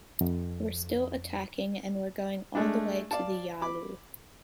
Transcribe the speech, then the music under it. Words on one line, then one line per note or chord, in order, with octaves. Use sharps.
We're still attacking and we're going all the way to the Yalu.
F2
G#3 A3 D4
D5 F5 A5
B5 D6